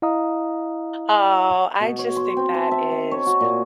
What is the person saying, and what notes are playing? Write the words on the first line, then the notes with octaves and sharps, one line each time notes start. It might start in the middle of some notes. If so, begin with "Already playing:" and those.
Oh, I just think that is
E4 D#5 F5 A#5 D#6
B2
C#5
C6
C4
A5
E5
D#5
C#5
F#4
A#2